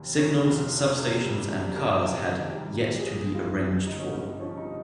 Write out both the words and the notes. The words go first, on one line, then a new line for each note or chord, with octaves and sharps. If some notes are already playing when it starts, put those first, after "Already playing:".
Signals, substations and cars had "yet to be arranged for".
Already playing: F1 D#2
D#3 C#4
F1
F2
C3
G3
F2
F2 A#4
C3
D#3
G3
A#1
G4
G#4
A#2
G#4
G3 F4
A#1
G1 D#4
C#4
G2 D#4
F3 C#4
D#4